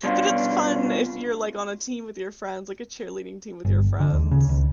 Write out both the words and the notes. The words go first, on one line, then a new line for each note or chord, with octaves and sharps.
But it's fun if you're, like, on a team with your friends, like, a cheerleading team with your friends.
C2 B2 C#4 D4 F4
G1
D3
D#2
C#3
C#2